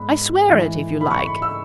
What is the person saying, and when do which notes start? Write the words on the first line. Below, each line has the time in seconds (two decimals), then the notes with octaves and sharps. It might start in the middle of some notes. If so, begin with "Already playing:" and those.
I swear it, if you like.
Already playing: G#2 G#3 B3 B5
0.47 G#2 E3 A3
1.01 B5
1.10 C#6
1.26 B5
1.42 E6